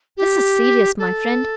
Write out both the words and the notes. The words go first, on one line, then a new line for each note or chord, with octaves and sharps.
This is serious, my friend!
G4
A4